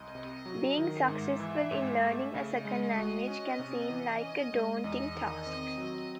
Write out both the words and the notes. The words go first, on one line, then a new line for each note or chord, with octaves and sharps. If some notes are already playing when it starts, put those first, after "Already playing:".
Being successful in learning a second language can seem like a daunting task.
Already playing: C2 D#5
C3
F#3
D#3
G#2 E5
E3
G#2
A3
C#3 D#5
G#3
F#4
C#4
C3
E3
C#4 D#5
G#3
E2 D#5
D#3
C4
F#3